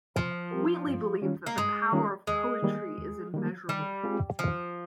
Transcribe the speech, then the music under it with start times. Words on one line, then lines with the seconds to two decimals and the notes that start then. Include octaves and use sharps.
Wheatley believed that the power of poetry is immeasurable.
0.16 C3 F3
0.51 G3 C4 G4 A#4
0.86 G2
1.22 D#3 G3 C#4 F4
1.46 A#3
1.57 G2 G#3
1.92 D#3 G3 C#4 F4
2.27 D#2 G#3
2.63 D#3 G3 A#3
2.98 D#2
3.34 D#3 G3 A#3
3.69 D#3 G3
4.04 G#3 C4 F4 G#4
4.39 D#3 F3